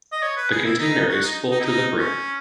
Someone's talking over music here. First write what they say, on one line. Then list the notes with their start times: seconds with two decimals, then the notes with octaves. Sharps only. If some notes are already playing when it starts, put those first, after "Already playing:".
The container is full to the brim.
0.12 D#5
0.22 C#5
0.37 B4
0.51 G#4
0.65 E4
0.79 D#4
1.08 F#4
1.22 D#4
1.51 D#4
1.60 E4
1.65 D#4
1.95 C#4